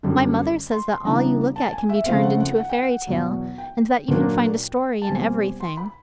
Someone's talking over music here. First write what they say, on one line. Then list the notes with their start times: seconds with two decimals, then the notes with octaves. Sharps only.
"My mother says that all you look at can be turned into a fairy tale: and that you can find a story in everything."
0.03 F#2 D3 G3
0.71 C6
0.88 C6
1.04 C#3 E3 G3 B3 D4 A#5
1.56 A5
1.73 G#5
1.89 E5
2.06 C#3 F3 A3 C4 F5
2.23 F#5
2.40 F#5
2.56 F#5
2.69 G5
2.83 F#5
3.07 E2 B2 F#3
3.58 G5
4.08 A#2 F#3 A#3 D4
5.02 A5
5.09 B2 G3 C4 G#5
5.60 C6
5.77 B5